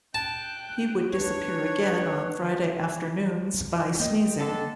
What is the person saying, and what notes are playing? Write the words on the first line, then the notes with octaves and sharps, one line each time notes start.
He would disappear again on Friday afternoons by sneezing.
G5 A5 F#6
D4 B4 C#5
A#3 D#5 G5
D3 A4